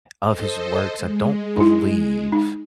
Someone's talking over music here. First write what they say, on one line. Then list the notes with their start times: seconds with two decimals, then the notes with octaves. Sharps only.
of his works, I don't believe.
0.22 A4 C5 D#5
0.98 G#3
1.56 D#4 E4
2.32 D#4